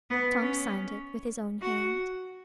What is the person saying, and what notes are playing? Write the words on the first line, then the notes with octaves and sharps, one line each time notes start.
Tom signed it with his own hand.
B3
C#4
F#4